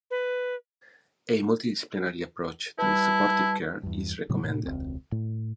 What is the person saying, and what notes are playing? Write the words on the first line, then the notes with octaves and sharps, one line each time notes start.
A multidisciplinary approach to supportive care is recommended.
B4
G3 E4 B4 A5
E2 G2
A2 C#3 F#3 G3
A2 C3
E1 C#2 C4
A2